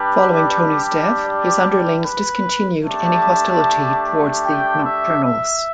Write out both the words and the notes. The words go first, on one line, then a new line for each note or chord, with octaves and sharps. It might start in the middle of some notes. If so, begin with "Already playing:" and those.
Following Tony's death, his underlings discontinued any hostility towards the Nocturnals.
Already playing: G3 D4 G4 B4
D5
B4
A3 D4 G4 A5
G5
E5
E5